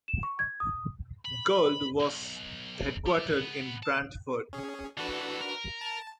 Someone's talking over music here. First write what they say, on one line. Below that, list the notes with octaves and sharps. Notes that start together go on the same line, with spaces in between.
Gould was headquartered in Brantford.
E7
C#6
G#6
D#6
B5
B1
G3
C#2 B3
A5
C#4 G#4
E3 D4 F#4 A4 B4
A#4
A5